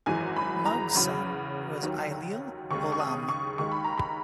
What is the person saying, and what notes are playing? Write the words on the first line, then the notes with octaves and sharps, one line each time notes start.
Mug's son was Ailill Ollamh.
G#1 F#2 E3 G#3 G#5
B5
A#5
E2 C#3 F#3 B5
D#2 D#3 F#3
D#2 C#3 G#3 C#6
C#6
D#6
C#6
D#2 D#3 G#3 C#6
B5
A#5
B5